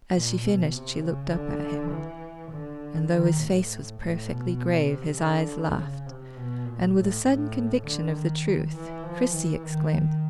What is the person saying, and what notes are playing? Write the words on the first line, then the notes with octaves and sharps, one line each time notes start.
As she finished she looked up at him; and, though his face was perfectly grave, his eyes laughed, and with a sudden conviction of the truth, Christie exclaimed!
A#2
B2
C3
C#3
D3
E3
D3
D#3
A2
A2
B2
C3
D3
C#3
C3
B2
A#2
A2
A2
D3
D#3
E3
F3
E3
D#3